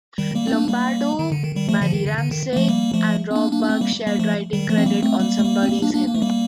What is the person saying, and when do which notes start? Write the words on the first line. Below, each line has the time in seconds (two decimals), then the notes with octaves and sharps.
Lombardo, Mary Ramsey and Rob Buck shared writing credit on "Somebody's Heaven".
0.18 D#3 G3
0.35 G3 A#3
0.47 C4
0.52 A#3 D4
0.68 G3 A#3
1.19 D#3
1.32 D3
1.44 D#3
1.56 D#3 G3
1.69 F3 A3
1.81 D3 F3
1.94 D#3
2.06 D3
2.19 D3
2.31 D#3
2.53 A#3
2.56 F3 A3
2.69 G3 A#3
2.94 F3 A3
3.31 C4
3.36 A#3 D4
3.52 A#3 D4
3.64 D4
3.69 A3 C4
3.81 G3 A#3
4.07 G3 A#3
4.19 F3 A3
4.53 D#3 G3
4.69 F3 A3
4.78 C4
4.86 G3 A#3
5.03 A3 C4
5.20 G3 A#3
5.39 A3
5.45 G3 A#3
5.63 C4
5.70 G3 A#3
5.82 A#3 D4
5.94 A#3 D4
6.08 A#3
6.15 A3
6.22 G3 A#3